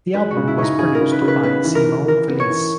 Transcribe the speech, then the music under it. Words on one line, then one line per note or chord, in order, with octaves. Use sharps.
The album was produced by Simone Felice.
G#3 B4
F#4
C#3
E4
C#3 C#4 D#4
C#3 G#4
A#4
C#3
B4
C#3
B4
B3 B4
E3
A#4
E3
E3 A#4
B3
C#5
E3